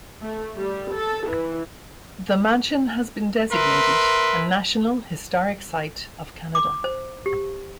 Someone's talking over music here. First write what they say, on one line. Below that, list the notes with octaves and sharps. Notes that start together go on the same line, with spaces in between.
The mansion has been designated a National Historic Site of Canada.
A3
G3
A4
E3
A#4 B4 E5 C6
D6
C5
G4